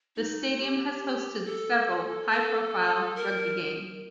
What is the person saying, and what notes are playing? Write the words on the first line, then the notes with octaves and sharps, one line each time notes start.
The stadium has hosted several high profile rugby games.
D#4
G4
A4
A4
A#4